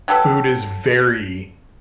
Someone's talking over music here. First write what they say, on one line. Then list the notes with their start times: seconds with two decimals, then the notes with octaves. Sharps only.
food is very
0.08 F#3 G4 A4 B4